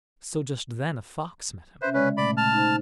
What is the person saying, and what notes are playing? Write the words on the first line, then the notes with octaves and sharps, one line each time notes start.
So just then a Fox met him.
C3 C#4 B4 C5 E5
C#3 G#3 C#4 B4 D5
A#2 A3 D5 B5
A5 F6
D#4 C5